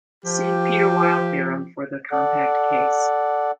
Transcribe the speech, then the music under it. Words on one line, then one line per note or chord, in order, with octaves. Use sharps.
See Peter-Weyl theorem for the compact case.
F3 G4
A4 D5 F#5